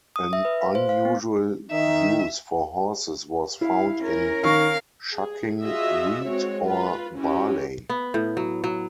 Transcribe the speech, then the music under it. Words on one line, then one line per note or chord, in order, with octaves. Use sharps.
An unusual use for horses was found in shucking wheat or barley.
D#6
E5
B4
F5
C5
F5
B3
D#3 D#4 E5
E4 F5
C#4 A#4
D#3 F5 C#6
G#4
F4 F#4 G#4 D#5 E5
G#3 C4 F#4 C#5
F4 B4
C#4 E4 F#4 G4
B3
A2
F#3
F#3